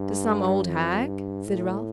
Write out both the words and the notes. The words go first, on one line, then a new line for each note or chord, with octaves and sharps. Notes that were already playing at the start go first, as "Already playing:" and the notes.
'To some old hag?' said Ralph.
Already playing: G2
F2
G2
A2